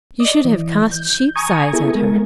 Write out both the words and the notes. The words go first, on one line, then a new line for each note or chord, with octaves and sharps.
You should have cast sheep's eyes at her.'
D5 D#5
E3
G6
G#5 A#5 C#6 D#6 G#6
B3 E4 G#4 A4
G#3 A#4